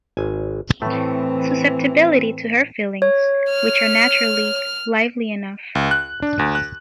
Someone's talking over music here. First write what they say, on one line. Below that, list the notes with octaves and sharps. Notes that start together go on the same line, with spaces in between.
Susceptibility to her feelings - which are naturally lively enough.
G#1 G#5
A2 E3 A3 C4
C#5
F6
C#2
F#6
D4
D2
F#6